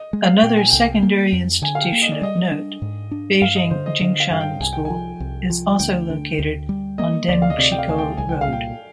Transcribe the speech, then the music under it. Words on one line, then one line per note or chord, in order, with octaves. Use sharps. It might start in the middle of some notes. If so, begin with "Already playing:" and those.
Another secondary institution of note, Beijing Jingshan School, is also located on Dengshikou Road.
Already playing: D#5
G#3
F5
A#2 G5
G#5
C2 G5
A#3
F2
D3 G#5
F5
G5
A#3
D#5
D5
G3 D#5
D4
G#2
D4
G2 F5
D#5
D3 C5
D#5
D3 D#5
F5
G2 F5
G5
C2 G#5
G5
F3 G#5
C2
F3
D2 G5
D3
D2
G3
A#3 D#5
D2 D5
F5
D#5
C3 D5
G5
F5
D2 G#5
G5
C2 G#5
G5
F5
A#2 G5